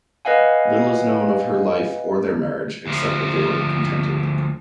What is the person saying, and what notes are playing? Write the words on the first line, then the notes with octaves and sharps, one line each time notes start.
Little is known of her life or their marriage, except that they were contented.
B4 D#5 F5 F#5 G#5
D2 F3